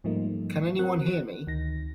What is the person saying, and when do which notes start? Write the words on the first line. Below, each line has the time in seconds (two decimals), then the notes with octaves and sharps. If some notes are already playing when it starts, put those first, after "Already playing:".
Can anyone hear me?
0.04 G#2 F3 G3 A3 A#3 D#4
0.79 C4 F#4 A#4 F#6
1.47 D2 D#3 D#4 A#6